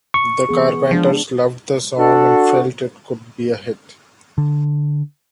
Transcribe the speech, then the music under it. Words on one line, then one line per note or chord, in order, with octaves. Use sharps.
The Carpenters loved the song and felt it could be a hit.
C#6
E3 B3 G#4
F3 G#3 D4
D4 F#4 A4
D3